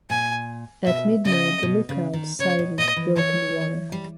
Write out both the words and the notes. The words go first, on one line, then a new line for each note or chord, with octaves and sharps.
At midnight the lookouts sighted broken water.
A#2 G#5
B2 E5
C#3 D#5
B2
C#3
D#3
C#3 C#5
B2
A#2 D#5
E3
E3 C#5
G3